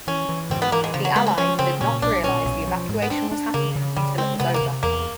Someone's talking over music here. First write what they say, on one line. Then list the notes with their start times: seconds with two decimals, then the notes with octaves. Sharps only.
The Allies did not realize the evacuation was happening until it was over.
0.07 E3 C#4
0.29 E3
0.51 G#2 C4
0.62 B3
0.72 E3 A#3
0.84 G#3
0.94 C#3 F3
1.05 F#3
1.16 G#3 B3
1.26 C4
1.38 F3 C#4
1.59 C#3 C4
1.81 A#2 C#4
2.02 B1 D4
2.23 A#2 C#4
2.45 B1
2.67 F3
2.89 G#2
3.02 B3
3.10 C4 D4
3.32 D4
3.54 C#3 A#3
3.75 C#3
3.97 C#3 G3
4.18 G#3 C4
4.40 C3 B3
4.54 A#3
4.61 C3
4.83 E2 A#3